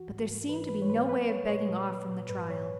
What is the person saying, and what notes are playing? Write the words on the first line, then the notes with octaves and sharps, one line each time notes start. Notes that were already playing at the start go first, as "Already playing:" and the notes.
But there seemed to be no way of begging off from the trial.
Already playing: E3 F#4
G#2
G#2
E3 B4
E3 B4
C#5
G#2 B4
F#3 B4
F#3 C#5
A#2 C#5
A#2
F#3
A#2
G#2 B4
F#3 C#5